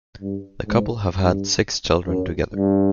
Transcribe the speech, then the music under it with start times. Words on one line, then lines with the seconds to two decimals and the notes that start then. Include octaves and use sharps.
The couple have had six children together.
0.21 G2
0.67 G#2
1.14 G2
2.07 F#2
2.54 G2